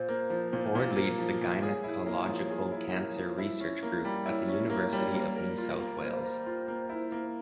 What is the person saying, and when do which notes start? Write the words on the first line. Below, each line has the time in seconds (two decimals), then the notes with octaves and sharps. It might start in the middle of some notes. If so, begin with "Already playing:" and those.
Ford leads the Gynaecological Cancer Research Group at the University of New South Wales.
Already playing: A#2 C5
0.09 A#3
0.30 F3
0.53 A#2
0.75 A#2
0.96 A#3
1.19 F3
1.41 A#2
1.63 G#4 C#5
1.84 E4
2.06 A#3
2.28 F3
2.50 G#4
2.72 E4
2.94 A#3
3.16 F3
3.38 E4
3.60 C#4
3.83 A#3
4.05 G3
4.26 E4 C#5
4.48 C#4
4.70 A#3
4.93 G3
5.14 A#3
5.36 A#4
5.58 F4
5.80 A#3
6.01 A#3 C5
6.25 A#4
6.46 F4
6.68 A#3
6.89 E4
7.12 A#3